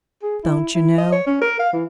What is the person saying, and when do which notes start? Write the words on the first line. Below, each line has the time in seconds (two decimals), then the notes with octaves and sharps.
Don't you know?'
0.23 G#4
0.44 E4
0.75 E4
0.98 D#5
1.12 C#5
1.27 C#4
1.42 A#4
1.59 F5
1.73 E3